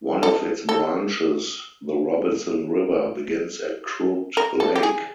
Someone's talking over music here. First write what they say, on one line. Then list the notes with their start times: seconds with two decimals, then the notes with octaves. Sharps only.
One of its branches, the Robinson River, begins at Crooked Lake.
0.23 A4
0.69 A4
4.37 A#4
4.60 A4
4.76 G4
4.83 G#4